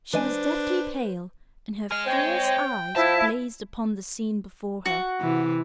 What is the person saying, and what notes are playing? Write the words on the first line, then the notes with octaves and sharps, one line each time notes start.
She was deathly pale, and her fierce eyes blazed upon the scene before her.
E3 G#3 D4 B4 C5 G#5
G#4 D#5 F6
C4 C#5 G5
F3 E4 A5
F#4
C3 E3